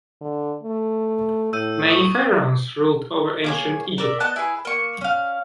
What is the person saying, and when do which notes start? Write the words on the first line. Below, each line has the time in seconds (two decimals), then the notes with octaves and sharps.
Many pharaohs ruled over ancient Egypt.
0.21 D3
0.63 A3
1.53 A2 E6 G6 D#7
1.89 C#6 D#6
3.44 A#3 G#4 C#5
3.98 A#4 D5 E5
4.20 B3 D#5 A5 F#6
4.36 E4 G#4 B4 G#5
4.65 A#3 C#6
5.01 C#4 F5